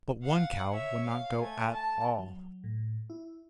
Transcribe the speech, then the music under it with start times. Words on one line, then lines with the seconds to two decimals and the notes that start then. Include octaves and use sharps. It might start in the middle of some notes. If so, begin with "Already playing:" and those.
But one cow would not go at all!
0.23 F5 F#5
0.70 C#5 E5
1.06 F5
1.40 A3 G#5
1.73 A5
2.19 F#3
2.64 A2
3.10 E4